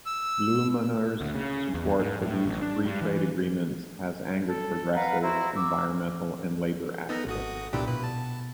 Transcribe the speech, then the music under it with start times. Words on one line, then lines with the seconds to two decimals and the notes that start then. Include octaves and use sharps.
Blumenauer's support for these free trade agreements has angered progressives, environmental and labor activists.
0.06 E6
1.21 D2
1.35 C#3
1.74 E2
1.99 G#2
2.22 A2
2.46 A1
2.62 D4
2.86 G2
3.01 E3
4.46 A4
4.94 B4 F5 F#5 A#5
5.22 E4 F#4 C5 A#5
5.55 C#6 D6 E6
7.09 B3 D#4 A4 A#4 A#6
7.27 G#1 F#4 D#6
7.73 C2 A#2 B3 D4 E4 G4
7.88 B2 B4
8.04 A5